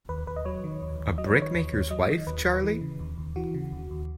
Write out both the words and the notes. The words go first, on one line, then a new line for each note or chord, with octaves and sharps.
A brickmaker's wife, Charley?
D#2 B4
D#2 B4
D#5
F#3 C#5
D#3
D#2
D#2
F#3 D#5
C#5
D#3 B4
C#5
D#2
D#2
F#3 D#5
D#3
D#2 B4
D#2
E3
C#3
D#2
D#2
E3 F#4
C#3
D#2
D#2